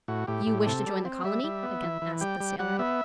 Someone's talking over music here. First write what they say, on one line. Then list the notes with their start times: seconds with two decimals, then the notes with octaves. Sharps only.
"You wish to join the colony?" again asked the sailor.
0.08 A2 F#4
0.27 A2 G4
0.47 A2
0.63 G4
0.67 C3 A4
0.86 G3
1.05 C4
1.24 G3 E5
1.44 G3
1.63 B3
1.82 E3
2.02 E3
2.21 G3 G5
2.40 G3
2.59 G3 F#5
2.79 B3 E5